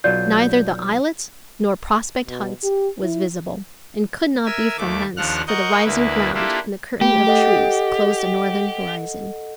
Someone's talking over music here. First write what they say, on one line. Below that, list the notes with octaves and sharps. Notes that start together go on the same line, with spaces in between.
Neither the islet nor Prospect Heights was visible, and could not be from thence, for the rising ground and the curtain of trees closed the northern horizon.
B1 F#3 F4 D5 G6
B2
G4
E4
A#4 E5 G#5 E6
D#2 A3 D6
D#2 F3 D4 F#5 F6 F#6
A#4 D#5 F#5 C#6 G6
D2 A#3 E4 B4
A#3 D4 E4 F4 G4 A4
A3 G4
A4 D#5 F#5